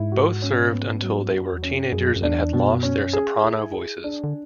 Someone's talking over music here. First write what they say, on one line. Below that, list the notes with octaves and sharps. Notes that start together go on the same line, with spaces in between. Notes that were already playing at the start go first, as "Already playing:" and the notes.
Both served until they were teenagers and had lost their soprano voices.
Already playing: G#2 E4
F#4
C#4
B3
F#3
F#2 F#4
E2
C#4
F#2
G#2
F#2 G#4
F#2
E2 D4
F#2 B2
C#4
G#4
E4
G#4
D4
D3